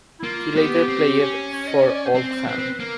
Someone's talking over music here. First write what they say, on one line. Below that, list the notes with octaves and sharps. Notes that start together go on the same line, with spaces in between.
He later played for Oldham.
E4
A#3 F4
B3 G4
C4
C#4
C#5
D#5
D5
D5
C5
C4
C4 B4
C4
A#3 A#4